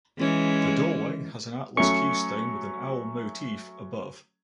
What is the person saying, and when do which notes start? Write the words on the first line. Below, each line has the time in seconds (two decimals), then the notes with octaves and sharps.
The doorway has an Atlas keystone with an owl motif above.
0.18 E3 G#3 C#4
1.77 F#3 A3 C#4 C#6